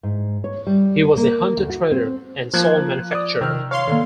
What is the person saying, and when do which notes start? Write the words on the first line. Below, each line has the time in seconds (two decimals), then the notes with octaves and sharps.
He was a hunter-trader and salt manufacturer.
0.03 G#2
0.44 C#5
0.67 G3
1.17 A#3
1.57 D2
1.69 F#4
1.91 C4
2.53 F3 A#3 F#6 G#6
3.11 D5 D6 D#6
3.41 C3 D#3 E6 F6
3.71 C#5 F5 C6
3.87 D3 D#3 A#3